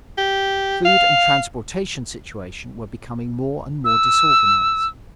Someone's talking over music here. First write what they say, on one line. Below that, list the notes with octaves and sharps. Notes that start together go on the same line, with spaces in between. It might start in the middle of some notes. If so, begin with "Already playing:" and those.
The food and transportation situations were becoming more and more disorganized.
G4
F5
E6